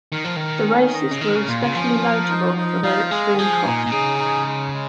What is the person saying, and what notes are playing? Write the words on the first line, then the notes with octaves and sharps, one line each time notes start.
The races were especially notable for their extreme cost.
D#3 A#4
F3
D#3 A#4
C#4
D#5
C#3
D#3 A#4
C#3
A#2 F4
C#3
F3 C#4
A#4
D#4
D#4
F3 F5
G#3 G#4
D#3
F3 G#5
A#2 D#4
A#2
C#3 G#4
D#4
G#3
G#3